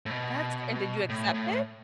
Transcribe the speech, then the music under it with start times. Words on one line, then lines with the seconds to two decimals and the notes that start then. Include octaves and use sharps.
That's cr and did you accept it?
0.06 A2
0.10 B2
1.09 A2
1.34 A2